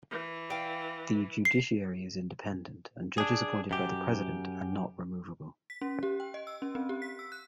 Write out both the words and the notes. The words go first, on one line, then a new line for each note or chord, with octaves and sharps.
The judiciary is independent, and judges appointed by the president are not removable.
E3
F5 G5
C7
D4 G#4
F#2 G4
B6
C#4
G4
G5
D#5
E6
C#4
C4
G4
B6
E6
F#6